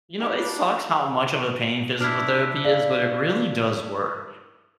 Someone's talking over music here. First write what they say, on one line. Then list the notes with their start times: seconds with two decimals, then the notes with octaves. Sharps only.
You know, it sucks how much of a pain physical therapy is, but it really does work.
0.20 G3 D4 D#4 G4 A4 B4
2.01 D4 E4 D6 F6
2.64 D5 F5 F#7